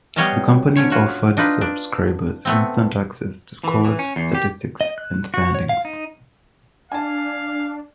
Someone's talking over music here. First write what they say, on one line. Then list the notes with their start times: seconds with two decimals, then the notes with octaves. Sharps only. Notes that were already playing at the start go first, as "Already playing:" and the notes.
The company offered subscribers instant access to scores, statistics and standings.
0.16 G3 B3 C#5 D#5 F5 A5
0.76 D3 C#4 C#5
0.90 F4 F#4 C#5
1.37 D4 D#4 F4 B4
1.61 D4
2.45 A3 B3 C4
3.64 E3
3.85 E3
3.99 C#4
4.16 E2
4.35 G4
4.81 D#5
4.98 F#6
5.34 F#4
5.55 C#5
5.69 F5
5.85 D#4
6.92 D4 F5 G#5 A5